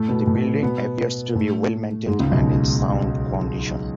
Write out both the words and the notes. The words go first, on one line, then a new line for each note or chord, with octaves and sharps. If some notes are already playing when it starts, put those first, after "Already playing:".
The building appears to be well maintained and in sound condition.
Already playing: A2 A3
B2 B3
A2 A3
B2 B3
A2 A3
G#2 G#3
C#2 C#3
B1 B2